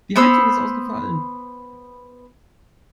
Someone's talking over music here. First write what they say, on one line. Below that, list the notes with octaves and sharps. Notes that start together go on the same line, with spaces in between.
Die Heizung ist ausgefallen.
B3 C5 B5 E6